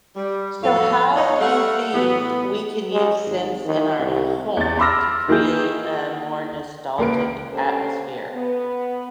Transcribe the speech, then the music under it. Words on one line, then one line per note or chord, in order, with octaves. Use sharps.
So how do you think we can use scents in our home to create a more nostalgic atmosphere?
G3
F2 A2 F#3 A4 F5
D#4 C#5
G3 A3 F5 F#5
A2 E3 B3
G#3
G#1
D#3
C2
E2 A6
B5 C6 D6 E6 F6 A#6
D#3 A#3 E4 G#4 G6
C#2 A#3 B4 D7
C#4 D4 F4 G4 A4 C5
B3